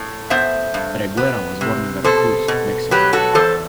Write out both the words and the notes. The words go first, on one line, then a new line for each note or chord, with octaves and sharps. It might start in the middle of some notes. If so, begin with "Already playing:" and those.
Reguera was born in Veracruz, Mexico.
Already playing: A2
B3 C5 E5
G2
B3
C3
B2 A4 C5
B2
F#3 G4 B4
F#4 A4
E2 A4 C5